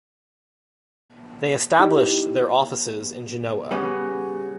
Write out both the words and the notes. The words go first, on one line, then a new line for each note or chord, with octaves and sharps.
They established their offices in Genoa.
D#4 E4 G4
C#3 G3 B3 C#4 F#4